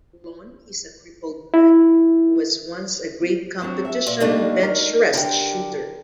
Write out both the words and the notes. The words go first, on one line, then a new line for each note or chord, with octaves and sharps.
Lon is a crippled man, who was once a great competition benchrest shooter.
E4
F#3 C4 D4
E5
A#2
D#2 G3 A3 A#3 D4 D#4
A#4
D3 G4 A#4